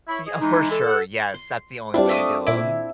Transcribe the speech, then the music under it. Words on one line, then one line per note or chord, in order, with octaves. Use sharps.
Y uh, for sure, yes, that's the only way to do 'em.
E4 C#5 B5
G#4 D#5
E3 G#3 D#4
A4
F#5
C6
G3 C4 D4 E4 F4
A3 D6 D#6
A#2 E4 D6